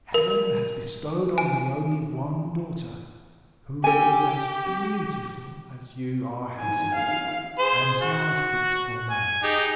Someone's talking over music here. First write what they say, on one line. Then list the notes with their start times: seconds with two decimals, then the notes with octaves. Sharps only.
Heaven has bestowed on me only one daughter, who is as beautiful as you are handsome, and now fit for marriage.
0.14 A#4
1.38 G#5
3.84 G4 A4 G#5
6.60 G#5
6.96 F5
7.59 G#4 C5
8.01 F#4
9.10 G#5
9.43 D#4 G4 G#4